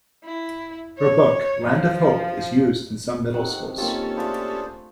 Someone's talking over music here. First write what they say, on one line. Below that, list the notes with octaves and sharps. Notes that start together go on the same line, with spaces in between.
Her book "Land of Hope" is used in some middle schools.
E4
C#5
F3
C3 D#3 F#5
D#3 A#3 C#4 F4 G4 A4
A3 D4 F4 G#4 C5 B5